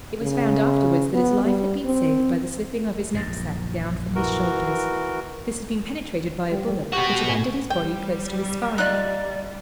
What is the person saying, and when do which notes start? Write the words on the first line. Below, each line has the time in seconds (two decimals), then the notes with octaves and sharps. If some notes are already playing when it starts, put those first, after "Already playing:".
It was found afterwards that his life had been saved by the slipping of his knapsack down from his shoulders. This had been penetrated by a bullet, which had entered his body close to his spine.
0.21 C#3
1.13 B3
1.44 G3
1.85 C4
3.14 A#1 F#2 A#2
4.15 E3 F#4 A#4
6.51 G3
6.92 B3 F#4 G4 A#6
7.29 A2 G#5
7.70 G3 G5
8.78 D#4 F4 D5 F#6